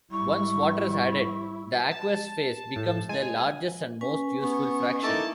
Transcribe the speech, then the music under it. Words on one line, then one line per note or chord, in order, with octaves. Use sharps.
Once water is added, the aqueous phase becomes the largest and most useful fraction.
G#1 G3 E4 C#6
A5
A2
G#3 G#5
C#4 B4 G#5
B3 C#6
A#3 D#4 E4 A4 E5 A5 D6